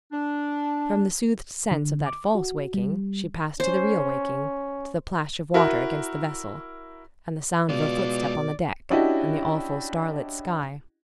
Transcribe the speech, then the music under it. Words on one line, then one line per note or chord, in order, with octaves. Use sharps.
From the soothed sense of that false waking she passed to the real waking,--to the plash of water against the vessel, and the sound of a footstep on the deck, and the awful starlit sky.
D4
D3
D6
F#4
G3
C#4 C5
E4 F#4 A#4
B2 G#3 F4 D5
C#4 D4 E4 F#4 G4 D#5